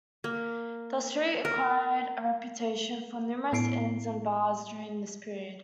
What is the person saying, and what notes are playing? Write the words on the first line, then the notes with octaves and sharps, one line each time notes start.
The street acquired a reputation for numerous inns and bars during this period.
A#3
A#4
A2 B3 E4 C7 D7